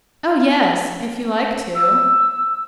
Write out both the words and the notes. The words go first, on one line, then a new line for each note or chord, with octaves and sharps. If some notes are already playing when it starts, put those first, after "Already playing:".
"Oh yes; if you like to."
E6